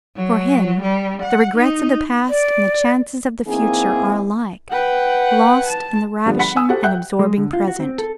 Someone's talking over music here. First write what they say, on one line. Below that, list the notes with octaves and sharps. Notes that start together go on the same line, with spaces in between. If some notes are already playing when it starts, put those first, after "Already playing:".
For him, the regrets of the past and the chances of the future are alike lost in the ravishing and absorbing present.
F#3
G3
F#5
D#4
D5
E3 A#3 C4 D#4 E4 G#4
B4 F#5 G5
A5
D3 F3 G3 B3
F#5 B5 B6 C#7
G#5 D#6 E6
F#4 G4 A4 C5 F#5
E5 F#5 G5 F#6 G6
G#3
D3
F4
F#4
C4
A4